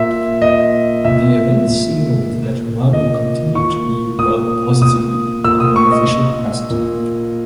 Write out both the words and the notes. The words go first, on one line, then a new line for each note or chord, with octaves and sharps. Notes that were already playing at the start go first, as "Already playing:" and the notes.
The event signalled that Huang continued to be regarded positively in an official capacity.
Already playing: A#2 E5
A#2 D#5
A#2 E5
A#2
A#2
A#2 D#5
A#2 C#6
A#2 D#6
A#2 D#6
A#2 E6
D#6
C#6
D#5
A#2
A#2